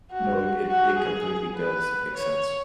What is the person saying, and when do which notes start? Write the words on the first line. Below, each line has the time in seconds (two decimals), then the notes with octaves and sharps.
No, it it it completely does make sense.
0.11 F#4
0.69 F#4
0.98 G#4
1.57 B4
2.15 C#5